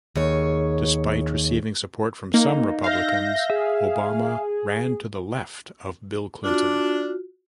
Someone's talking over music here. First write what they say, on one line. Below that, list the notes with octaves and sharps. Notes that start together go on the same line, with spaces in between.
Despite receiving support from some Republicans, Obama ran to the left of Bill Clinton.
D#2 G#4 C#5
A#3 D#4
E5 F5 G6 A#6
G#4 E5
D4 F4 F#4